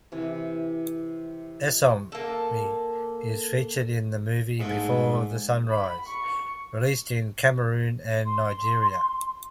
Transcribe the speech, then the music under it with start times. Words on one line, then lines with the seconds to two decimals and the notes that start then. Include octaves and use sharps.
Essome is featured in the movie "Before the Sunrise", released in Cameroon and Nigeria.
0.12 C3 E3
2.12 A#3 A4
4.60 G#2 G#3 A3
5.70 B5
6.07 C#6
8.25 C6